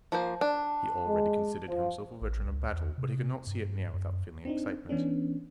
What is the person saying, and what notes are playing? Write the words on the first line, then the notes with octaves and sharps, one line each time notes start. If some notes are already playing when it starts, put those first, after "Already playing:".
He already considered himself a veteran of battle, but he could not see it near without feeling excitement.
F3 A#3 C5
D4
G#3
F3
A1
C#2
E2
C3
G2
F#2
C4 D4 D#4
E3 B3 C#4 D4